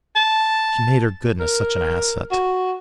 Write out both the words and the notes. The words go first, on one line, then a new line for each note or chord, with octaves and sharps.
She made her goodness such an asset.
A5
A#4
F#4